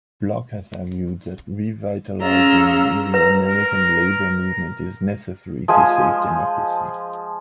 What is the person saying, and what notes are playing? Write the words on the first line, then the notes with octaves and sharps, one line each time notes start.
Block has argued that revitalizing the American labor movement is necessary to save democracy.
C#4 F4 G#4 A#5 E6
B4 A#5
A#4
F3 G#3 G#5 E6